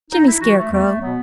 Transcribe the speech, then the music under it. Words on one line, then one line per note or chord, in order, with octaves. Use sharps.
"Jimmy Scarecrow!"
G#2 D#4
E4
E3 F#4
A3
E2 A3
B2 F#3 B3